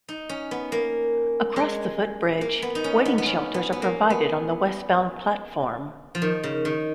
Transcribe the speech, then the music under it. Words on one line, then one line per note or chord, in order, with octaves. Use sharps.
Across the footbridge, waiting shelters are provided on the westbound platform.
D#4
C#4
B3
A#3
G#3
A#3
B3
D#4
C#4
B3
B3
C#4
B3
B3
A#3
B3
F3
D#3
C#3
D#3